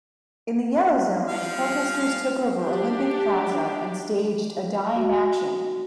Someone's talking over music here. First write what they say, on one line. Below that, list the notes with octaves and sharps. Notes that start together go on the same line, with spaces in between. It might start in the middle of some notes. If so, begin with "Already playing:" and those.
In the yellow zone, protesters took over Olympic Plaza and staged a Die-In action.
F3 G3 F5
D4 G4
F#4